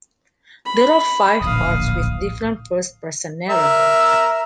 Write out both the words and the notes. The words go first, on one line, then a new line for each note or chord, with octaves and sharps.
There are five parts with different first-person narrators.
B5
D1 A#1 F5 D#6
A#4 E5